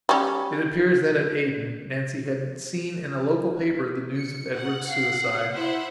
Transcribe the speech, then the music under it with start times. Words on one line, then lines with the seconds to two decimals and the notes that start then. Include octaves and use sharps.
It appears that at Aden Nancy had seen in a local paper the news of Edward's suicide.
0.09 G3 C#4
4.15 C#7
4.55 F#5
4.88 F5
5.55 E4 C5 E5 F#5